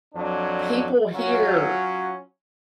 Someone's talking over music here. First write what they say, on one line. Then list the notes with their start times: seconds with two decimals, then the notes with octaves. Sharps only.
people here,
0.14 F2 F#3 D4
1.13 F#3 C#4 F4 F#4